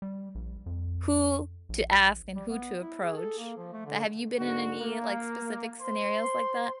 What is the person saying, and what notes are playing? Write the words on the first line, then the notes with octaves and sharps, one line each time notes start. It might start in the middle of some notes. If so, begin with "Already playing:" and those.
who to ask and who to approach. But have you been in any, like, specific scenarios like that?
G3
A#1
F2
A#1
G3
B3
E4
G#4
A4
A#3
F3
A3
D3
G#2 D3 F#4
A#3
C5 C6